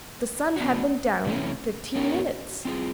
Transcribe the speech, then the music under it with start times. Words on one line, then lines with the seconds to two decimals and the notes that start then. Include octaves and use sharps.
The sun had been down fifteen minutes!
0.56 B3 D4 F#4
1.26 C3 E3 A3 C#4
1.96 B3 D#4 G4 A#4 C#5
2.65 C4 F4 G#4